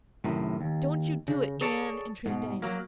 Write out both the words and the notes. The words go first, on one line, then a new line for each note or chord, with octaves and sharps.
"Don't you do it, Anne," entreated Diana.
F#2 A2 C3 D#3
D#2
C#3
G#4 A4 C#5 D5 A5
G#2 B2
F#3 A#3